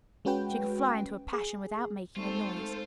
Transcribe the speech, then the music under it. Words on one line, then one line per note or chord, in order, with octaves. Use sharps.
She could fly into a passion without making a noise.
G#3 C#4 F#4 B4 G5
G#4
G#3 A3 C4 D#4 F4 A4 C5